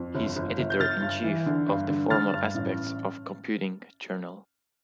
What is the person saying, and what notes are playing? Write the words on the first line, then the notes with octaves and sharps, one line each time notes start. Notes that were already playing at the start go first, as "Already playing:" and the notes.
He is Editor-in-Chief of the "Formal Aspects of Computing" journal.
Already playing: F2
G1
G1
G1
G6
G1 F6 A6
G2
E3
D3
G2
D3
D3 F6 A6
G2
A1